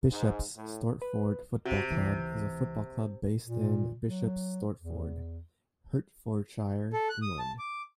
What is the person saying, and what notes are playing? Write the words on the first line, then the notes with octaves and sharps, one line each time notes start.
Bishop's Stortford Football Club is a football club based in Bishop's Stortford, Hertfordshire, England.
G#2
A2
B4
C3 F#4
C#2 E3
A#2
F#3
E2
A4
F#6
D#6
A5
D6